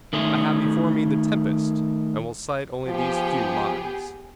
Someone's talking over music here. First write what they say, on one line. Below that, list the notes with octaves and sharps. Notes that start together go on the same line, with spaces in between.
I have before me the Tempest, and will cite only these few lines.
D#3 A3 G#4
F3 B3 G4 G#4